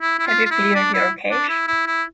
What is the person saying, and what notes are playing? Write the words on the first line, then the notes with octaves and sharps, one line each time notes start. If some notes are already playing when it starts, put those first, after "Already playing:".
Have you cleared your cache?
E4
E4
F4
F4
E4
D4
E4
D4
E4
E4
E4